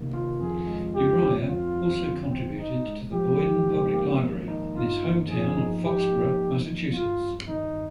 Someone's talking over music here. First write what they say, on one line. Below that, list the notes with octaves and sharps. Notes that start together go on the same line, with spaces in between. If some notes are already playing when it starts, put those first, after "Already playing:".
Uriah also contributed to the Boyden Public Library in his hometown of Foxborough, Massachusetts.
Already playing: C3 D#3 A#3
F4
F2 G#4
G#3
D3 G4
C4
F2 F4
G3
D3
C4
G#2 D#4
G#3
F3 G4
G#2
G#2
A#3
D#3
D#4
G2 F4
A#3
F3 G#4
D#4
G#2 G4
A#3
G3
G#2
G2 F4
G3
D#3 D#4